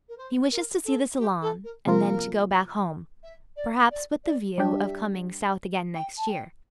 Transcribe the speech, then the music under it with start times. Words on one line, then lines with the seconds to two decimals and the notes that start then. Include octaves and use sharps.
He wishes to see the Salon and then to go back home, perhaps with the view of coming South again next year.
0.08 A#4
0.17 C5
0.52 A#4
0.85 A4
1.18 G4
1.42 A4
1.64 A#4
1.86 C3 F3 A#3 F4 A#4
3.23 E5
3.56 D5
3.90 D5
4.24 D5
4.58 G3 D4 G4 E5
5.94 G5
6.17 A5
6.28 G5